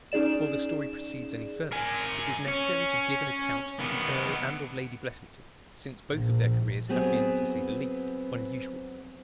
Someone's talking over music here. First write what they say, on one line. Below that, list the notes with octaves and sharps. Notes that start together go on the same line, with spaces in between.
Before the story proceeds any further it is necessary to give an account of the Earl and of Lady Blessington, since both of their careers had been, to say the least, unusual.
C#4 D#4 G#4 D5 E7
A#4 G#5
C#4
D#3 B3
A#1
F#3 B3 C4 G#4